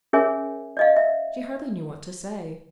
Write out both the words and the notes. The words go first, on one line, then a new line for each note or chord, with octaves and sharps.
She hardly knew what to say.
C#4 G#4 A#4 C#5 E5 G#5
D5 D#5 F5
E5